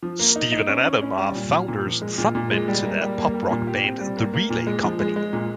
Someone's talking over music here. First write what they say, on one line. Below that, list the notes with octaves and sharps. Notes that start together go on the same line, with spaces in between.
Stephen and Adam are founders and frontmen to their pop-rock band The Relay Company.
F3
A#3
D#4
D#4
C#4
C#4
C#4
G3
A#2
A#2
A#2
F3
G#3
A#2
A#2
G#3
G3
A#3
G3
A#3
G3
A#2
G4
C4
G3
A#3
A#3
A#2
G#3
F3
G#3
G#3
A#2